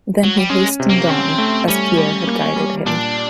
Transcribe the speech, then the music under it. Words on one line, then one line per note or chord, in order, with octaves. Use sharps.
Then he hastened on, as Pierre had guided him.
F#3
G3
G#3 C#4
C3
A#3
C4 C#4
A3
G3 C#4
G3
A#3
G3
A#2 D4